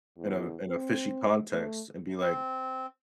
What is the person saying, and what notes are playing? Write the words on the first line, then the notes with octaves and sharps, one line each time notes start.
in a in a fishy context and be, like,
E2
C4
A3
C4